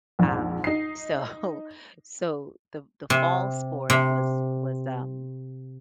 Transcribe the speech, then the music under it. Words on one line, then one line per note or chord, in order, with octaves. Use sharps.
Um, so so the the fall sport was was, um
A#1 F2 G#2
D#4 C7
C3
C3